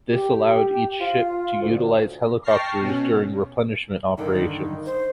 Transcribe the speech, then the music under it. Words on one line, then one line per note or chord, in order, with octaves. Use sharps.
This allowed each ship to utilize helicopters during replenishment operations.
G4
F4
D2
G5 A5 C#6 F6 A#6 C7
B2 C#4
G2 D3 D#3 D#4
C5